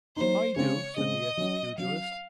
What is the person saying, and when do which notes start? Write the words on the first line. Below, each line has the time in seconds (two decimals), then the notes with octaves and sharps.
"I do," said the ex-pugilist.
0.16 F#3 A#3 D#4 C5
0.56 C#3 G#3 C4 C#5
0.97 C#3 G#3 C4 D#5
1.37 F#3 C#4 F#4
1.77 F#3 C#4 F#4 F5